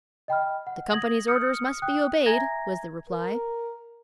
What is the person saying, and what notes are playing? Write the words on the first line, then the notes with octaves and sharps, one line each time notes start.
"The company's orders must be obeyed," was the reply.
D#5 G5 B5 F6
F#5
D#6 G#6 A#6 F#7
D#6 F6 G6 C#7
G5 D#6 F#6
E5 G#5 A#5 G#6 A#6
A#4